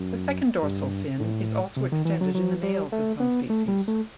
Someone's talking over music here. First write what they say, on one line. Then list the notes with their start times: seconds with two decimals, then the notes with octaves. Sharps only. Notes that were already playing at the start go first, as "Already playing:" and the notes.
The second dorsal fin is also extended in the males of some species.
Already playing: F#2
0.63 G2
1.20 A2
1.77 C3
1.92 D#3
2.05 E3
2.21 F#3
2.35 F#3
2.63 G3
2.92 A3
3.20 B3
3.50 A3
3.68 G3
3.88 A3